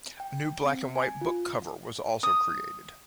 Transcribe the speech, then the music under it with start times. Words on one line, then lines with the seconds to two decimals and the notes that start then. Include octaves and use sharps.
A new black-and-white book cover was also created.
0.20 G5
0.64 C4
0.96 G#5
1.21 F4
2.23 D#6